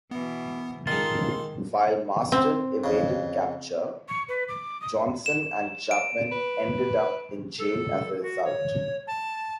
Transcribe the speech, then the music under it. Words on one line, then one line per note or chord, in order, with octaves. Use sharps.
While Marston evaded capture, Jonson and Chapman ended up in jail as a result.
B2 E3 B3
D#3 G#3 D#4 F4 A4 C6
C4
F2 C#3
C#6
B4
D6
D#6
E7
D7
B4
A4
F#4
C#5
A5